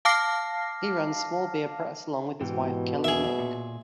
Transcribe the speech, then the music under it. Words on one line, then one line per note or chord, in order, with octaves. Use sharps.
He runs Small Beer Press along with his wife Kelly Link.
F5 A5 D6 F6 A#6 C7
G#2 B2 E3 G4
E2 A#3 G#4 E5
A#2